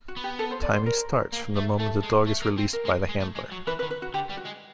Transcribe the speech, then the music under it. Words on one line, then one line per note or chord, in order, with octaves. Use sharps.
Timing starts from the moment the dog is released by the handler.
F#4
B3
G4
A4
C5
D5
C5
A#4
A#3
A3
A3 A4
G#3
A3
A#3
C4
A#4
G#3
G#3
A3
G#3
F#3
E3 B4
B4
D#3
B4
F#4
D3 G4
G3
F#4
G#3